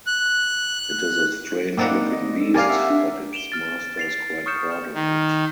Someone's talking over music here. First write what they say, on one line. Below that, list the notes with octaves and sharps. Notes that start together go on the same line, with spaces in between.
It is a strange-looking beast, but its master is quite proud of it.
F#6
A#3 C4 D#4 D5 F#5
D#5
A4
G4 A#4 D5 F5 G#5
E5 F#5
D4
D7 E7 F7 G7
F6 A6
A6 C7 F7
C#6 D#6 F6 G6 C#7 E7
D#3